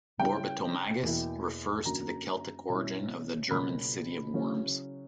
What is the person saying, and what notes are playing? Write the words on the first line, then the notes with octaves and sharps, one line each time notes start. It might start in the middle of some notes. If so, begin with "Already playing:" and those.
Borbetomagus refers to the Celtic origin of the German city of Worms.
C#3 G3 C#4 E4 G5
E2 B2 A#3 E4
F#2 D3 F#3 A#3 A#5
B2 G3 C#4 E4
C#2 B2 F#3 A#3 C#4 B5
C#3 F#3 C#4 E4